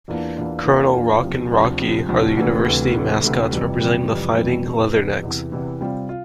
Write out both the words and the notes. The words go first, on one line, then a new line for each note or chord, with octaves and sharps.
Colonel Rock and Rocky, are the University mascots representing "The Fighting Leathernecks".
E2 E3 A#3 D4 F4
E2 E3 A#3 D4 F4
E2 E3 A#3 D4 F4
E2 E3 A#3 D4 F4
D2 C3 F3
D2 C3 F3
D2 C3 F3
D2 C3 F3
D2 C3 E3 A3
D2 C3 E3 A3
D2 C3 E3 A3
D2 C3 E3 A3
F2 C3 E3 G3
F2 C3 E3 G3
F2 C3 E3 G3
F2 C3 E3 G3
E2 C3 E3
E2 C3 E3
E2 C3 E3
E2 C3 E3
C3 G3 C4 F4
F4